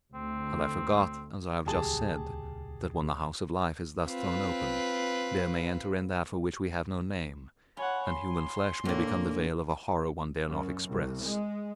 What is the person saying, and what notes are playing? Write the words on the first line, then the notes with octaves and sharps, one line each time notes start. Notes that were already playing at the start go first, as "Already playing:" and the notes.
And I forgot, as I have just said, that when the house of life is thus thrown open, there may enter in that for which we have no name, and human flesh may become the veil of a horror one dare not express.
D2 A3 C4
D#1 C#2 G4 G#4 A5
C4 F4 B4
F4 C#5 F#5 G#5 B5
C6
A2 D3 A#3
F#2
C2
G#3